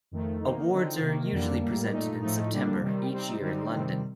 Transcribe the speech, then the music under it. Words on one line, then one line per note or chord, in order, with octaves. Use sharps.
Awards are usually presented in September each year in London.
F2 D#3 A3
D#3 A#3 D#4
D3 F3 C4 D#4
C3 D#3 A#3
F2 D3 G3 A#3 D4
A2 G3 A#3
A#2 A3 D#4
A2 F3 A3 D#4
D3 G3 A#3 D4
C3 D#3 G3 C4
C3 G3 C4 D#4
D3 G3 C4 D#4
C3 D#3 G3 C4